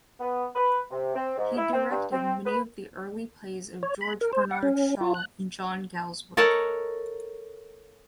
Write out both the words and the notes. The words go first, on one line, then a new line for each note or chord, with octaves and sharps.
He directed many of the early plays of George Bernard Shaw and John Galsworthy.
B3
B4
C3
C4
G#2
E4
C4
G2
C4
B4
C#5
B5
A#4
C5
F#5
C#4
F4
F#6
A4 A#4 C#5 D#5 F#5 A5